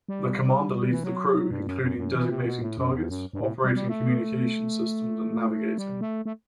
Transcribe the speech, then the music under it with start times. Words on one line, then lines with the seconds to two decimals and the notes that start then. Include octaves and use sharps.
The commander leads the crew, including designating targets, operating communication systems and navigating.
0.09 G3
0.92 E3
1.04 F#3
1.51 G2
1.67 F#2
1.83 F#2
1.98 F#2
2.14 E3
2.30 C3
2.46 B2
2.62 A2
2.78 F#2
2.93 E2
3.09 F#2
3.33 G2
3.40 A2
3.64 G3
3.76 G3
3.88 A3
5.78 G3
6.01 A3
6.26 A3